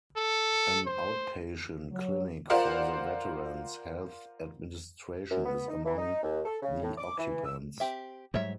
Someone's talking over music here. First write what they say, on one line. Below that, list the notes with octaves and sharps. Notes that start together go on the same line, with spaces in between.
An outpatient clinic for the Veterans Health Administration is among the occupants.
A4
C5
F#3
F4 A#4 C5 D5 F5 F#5
F#2
B3
D#4
E3
D#4
D#2
A4
C#3
A2
D6
E3
E6
C4 G4 E5
G#2 F#3 G3 C#5 E5